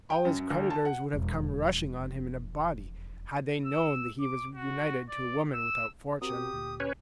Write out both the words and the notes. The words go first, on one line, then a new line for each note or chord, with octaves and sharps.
All his creditors would have come rushing on him in a body, had they known that he was united to a woman without fortune.
G5
F#2
F#2
D2
A5
F#5
E1 F2
E6
D6
F#4
D5
E6
C4 F#4 G4 A#4 D#6
D2 A#2
C#4 B4 C#5